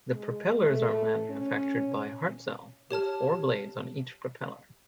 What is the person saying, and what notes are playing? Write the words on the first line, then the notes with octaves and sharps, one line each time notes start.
The propellers are manufactured by Hartzell, with four blades on each propeller.
G#3
A3
C#4
G4 C#5 A5 F6